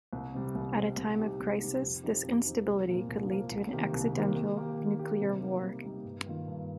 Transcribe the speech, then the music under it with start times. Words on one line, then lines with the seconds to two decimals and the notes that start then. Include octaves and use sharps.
At a time of crisis, this instability could lead to an accidental nuclear war.
0.13 C2
0.34 C3 G3
0.55 C2
0.76 C3 G3
0.97 C2
1.19 C3 G3 D#4 G4
1.40 C2
1.61 C3 G3 D#4 G4
1.82 F2
2.03 F3 C4 D#4 G4
2.24 F2
2.45 F3 C4 D#4 G4
2.67 C2
2.88 A#2 F3 A#3
3.09 C2
3.30 A#2 F3 A#3
3.51 C2
3.73 C3 D#3 A#3 G4
3.93 C2
4.15 C3 D#3 A#3 G4
4.36 D#3
4.57 A#3 G4
4.78 D#3
4.99 A#3 G4
5.20 C3
5.41 G3 A#3 D#4
5.63 C3
5.84 G3 A#3 D#4
6.05 G2
6.26 D#3 A#3 F4
6.48 G2